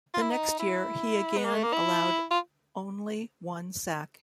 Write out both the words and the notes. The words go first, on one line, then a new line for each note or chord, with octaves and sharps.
The next year, he again allowed only one sack.
F4
E4
D#4
E4
B3
A#3
A3
A#3
E4
F4